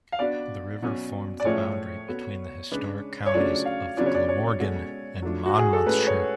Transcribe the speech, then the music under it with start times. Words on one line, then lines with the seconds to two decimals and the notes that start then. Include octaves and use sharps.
The river formed the boundary between the historic counties of Glamorgan and Monmouthshire.
0.12 F5
0.19 B3 D4 F#4 D5
0.82 B2 F#3 C#4
1.40 D5
1.45 A2 F3 A3 F4 G#4 C#5
2.08 B3 F#4 A4
2.71 C#3 G#3 D4 G#4 B4
3.26 C#5
3.34 C#3 F#3 A3 D4 F4 D5
3.65 F5
3.97 C#3 F#3 B3 D4 F4 D5
4.06 C#5
4.15 D5
4.29 C#5
4.60 B2 G#3 C#4 F#4 A4
5.22 F#3 A3 D4 F4
5.46 F#4
5.58 G#4
5.73 A4
5.86 A2 G#3 C#4 B4
6.07 C#5